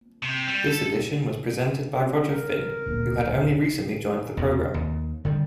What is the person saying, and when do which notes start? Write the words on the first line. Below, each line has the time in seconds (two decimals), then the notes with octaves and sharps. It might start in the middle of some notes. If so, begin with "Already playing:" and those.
This edition was presented by Roger Finn, who had only recently joined the programme.
0.23 C3
0.47 G3
0.68 A4
2.28 A#4
2.86 D1 A#1 A#2
4.37 E2 B2
4.74 D#2
5.25 D3 D#3 G3